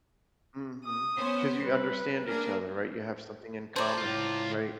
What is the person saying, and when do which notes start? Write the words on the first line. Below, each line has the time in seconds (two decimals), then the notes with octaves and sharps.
Mhm, 'cause you understand each other, right? You have something in common, right?
0.84 D#6
1.17 B3 C#4 C5
1.62 G3 B4
2.27 A#3 D4 G#4 A#4
3.76 G#4 A4 C5 D5 A5 A#5 D6
3.97 C#2 A2 F4